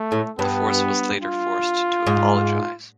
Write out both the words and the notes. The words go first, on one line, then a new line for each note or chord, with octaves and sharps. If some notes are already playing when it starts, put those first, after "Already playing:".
The force was later forced to apologise.
Already playing: A3
A2
G2 B3
F4
G#2